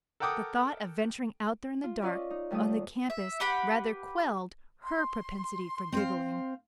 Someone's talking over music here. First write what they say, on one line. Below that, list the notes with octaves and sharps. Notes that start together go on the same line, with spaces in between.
The thought of venturing out there in the dark on the campus rather quelled her propensity for giggling.
A4 A#4 F#5 G5 D6 D#6
F4
C#4 F4 D5 D#5
D#4
D#2 G3 A3 D5 D#6
E5
G4 B4 F#5 B5
C6
C4 C5 F5